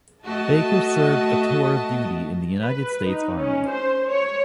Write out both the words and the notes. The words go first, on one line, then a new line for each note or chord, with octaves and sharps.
Baker served a tour of duty in the United States Army.
A3 F#4 D#5 A5
B4
D#4
C#4
C5
C#5